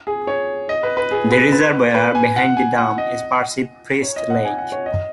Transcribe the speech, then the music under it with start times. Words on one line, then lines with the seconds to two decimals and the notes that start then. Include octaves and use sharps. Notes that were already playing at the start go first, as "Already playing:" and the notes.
The reservoir behind the dam is Percy Priest Lake.
0.07 G#4
0.27 C#5
0.69 D#5
0.83 B4
0.97 B4
1.11 G#4
1.32 B4
1.52 B4
1.94 B4
2.15 G#5
2.36 F#5
2.57 G#5
2.78 F#5
2.98 D#5
4.02 C#5
4.16 D#5
4.30 F#5
4.45 G#5
4.58 F#5
4.72 C#5
4.86 D#5